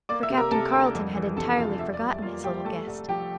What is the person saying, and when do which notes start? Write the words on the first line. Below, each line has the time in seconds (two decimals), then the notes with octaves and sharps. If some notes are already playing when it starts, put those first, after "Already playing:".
For Captain Carleton had entirely forgotten his little guest.
0.09 A#3 D5 D6
0.23 E5 E6
0.30 C3
0.37 A#4 A#5
0.51 C3 A4 A5
0.73 D2
0.95 F2
1.16 E3
1.37 C3 A4 A5
1.58 F2 F4 F5
1.79 E2 E5
1.94 D5
2.01 G3
2.08 E5
2.22 A#3 F4 F5
2.44 G3 G4 G5
2.65 A3 A4 A5
2.87 C2
3.09 F3 G4 G5